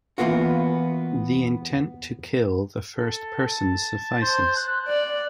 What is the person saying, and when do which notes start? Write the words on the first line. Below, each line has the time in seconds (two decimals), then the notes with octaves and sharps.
The intent to kill the first person suffices.
0.18 E3 G3 A#3 B3 F4 F#4
2.97 A4
3.48 A5
4.22 C5
4.56 F#6
4.88 D5